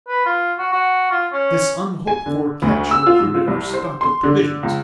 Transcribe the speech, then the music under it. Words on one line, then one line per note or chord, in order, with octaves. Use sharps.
This unhoped-for catch recruited our stock of provisions.
B4
F4
F#4
F#4
F4
C#4
G#5
D3
D2
E6
F4
G#2
F4
C2
C5
C6
D3
C#2